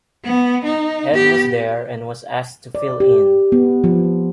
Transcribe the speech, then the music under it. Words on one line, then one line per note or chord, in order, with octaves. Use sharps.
Ed was there and was asked to fill in.
B3
D#4
B3 G4
D5
G4
B3
F3